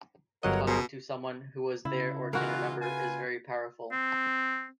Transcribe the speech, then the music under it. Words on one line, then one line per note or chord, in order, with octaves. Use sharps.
Talking to someone who was there or can remember is very powerful.
G1 F#3 A#4 C#5 D#5 F#5
B2 G#4 A#4 C5
C#3 E4
E3 G#3 F4 F#4 A#4
F4 B4 G#5
C4